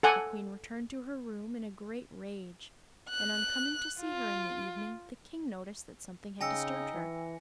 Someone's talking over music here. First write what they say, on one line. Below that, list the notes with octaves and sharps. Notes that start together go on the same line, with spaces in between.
The Queen returned to her room in a great rage; and on coming to see her in the evening, the King noticed that something had disturbed her.
A4 F#5 G#5
F#6
F4
C#3 D#4 G5 G#5 E6 A#6 C#7
E3